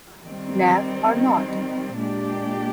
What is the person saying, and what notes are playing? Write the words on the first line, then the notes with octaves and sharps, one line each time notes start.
Knave or Not?
D#3 G3 C4
A#2 G#3 D4 G4